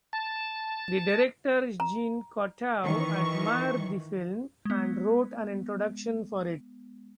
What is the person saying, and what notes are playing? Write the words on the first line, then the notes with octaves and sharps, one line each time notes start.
The director Jean Cocteau admired the film, and wrote an introduction for it.
A5
A#5
D#3 E3 C#6
G#3 B3